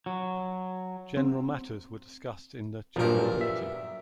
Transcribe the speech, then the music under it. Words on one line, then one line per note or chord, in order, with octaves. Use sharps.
General matters were discussed in the "General Committee".
F#3
C4
B1 G2 A#2 F3 A#4
E5